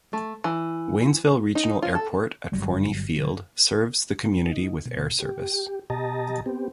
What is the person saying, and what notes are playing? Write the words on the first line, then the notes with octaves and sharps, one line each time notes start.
Waynesville Regional Airport at Forney Field serves the community with air service.
A3
E3
D#4
F4
A4
G1 F#2 F#3 G3
D3 F#3
D#4
B2
G4
B2 G4 D#5 A5 A#5
B3 C4 G4